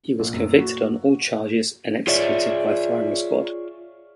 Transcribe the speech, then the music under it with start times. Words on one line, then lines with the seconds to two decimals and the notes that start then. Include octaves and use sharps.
He was convicted on all charges and executed by firing squad.
0.19 A#1
0.33 F#1
0.59 F#4
2.07 F4 G#4 C#5 D5 E5